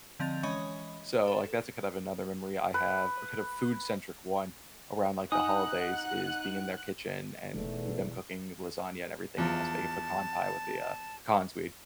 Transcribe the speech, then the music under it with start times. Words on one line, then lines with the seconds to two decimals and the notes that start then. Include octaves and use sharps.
So, like, that's a kind of another memory I have, a kind of food-centric one around, like, the holidays is being in their kitchen and with them cooking lasagna and everything, and us making pecan pie with the, uh, pecans we'd,
0.19 D3 F3 C4 D#5 A6 F7
0.43 E3 G#3 C#4 C#5 D#5 B5
1.28 A4
2.74 B4
5.32 D#4 F#5 G#5 D#6 F#6
7.53 E1 E2 B2 D#3 A3
9.38 E2 F3 A5